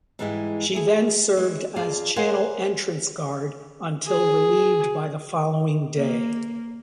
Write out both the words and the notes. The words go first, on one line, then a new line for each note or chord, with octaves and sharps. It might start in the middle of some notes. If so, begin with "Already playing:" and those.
She then served as channel entrance guard until relieved by the following day.
G#2 E3 G3 G#3 E4
A3 E4 G#4
E3 G#3
F2 F4 G#4 D5 F5
A#4 C5 C#5 F5 F#5 G#5
G#4
A#3